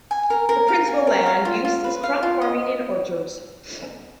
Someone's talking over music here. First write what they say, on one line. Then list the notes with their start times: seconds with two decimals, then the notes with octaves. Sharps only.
The principal land use is crop farming and orchards.
0.11 G#5
0.30 A#4
0.49 A#4
0.68 F5
0.88 G#5
1.07 A#4
1.26 F5
1.45 F4
1.65 F4
1.84 B4
2.04 F5
2.23 F4
2.42 D#5